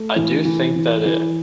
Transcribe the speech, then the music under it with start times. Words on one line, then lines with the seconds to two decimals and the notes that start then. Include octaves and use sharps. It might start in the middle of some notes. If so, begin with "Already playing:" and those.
I do think that it
Already playing: A3
0.16 E3
0.45 E3
0.76 E3
1.06 E3